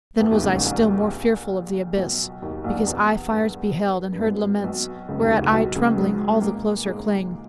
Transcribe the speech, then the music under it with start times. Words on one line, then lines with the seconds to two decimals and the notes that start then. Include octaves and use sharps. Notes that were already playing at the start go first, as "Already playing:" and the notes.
Then was I still more fearful of the abyss; Because I fires beheld, and heard laments, Whereat I, trembling, all the closer cling.
0.20 E2 E3
0.31 D#2 D#3
0.42 C#2 C#3
0.53 A#1 A#2
0.65 A#1 A#2
1.97 B1 B2
2.42 D#2 D#3
2.64 A#1 A#2
2.76 E2
2.86 E2
3.31 G2
4.13 G2
4.19 G#1 G#2
4.64 B1 B2
5.08 C#2 C#3
5.20 D#2 D#3
5.30 C#2 C#3
5.42 C#2 C#3
5.53 B1 B2
5.76 C#2 C#3
5.97 G#2 G#3
6.42 A#2 A#3
6.86 G#2 G#3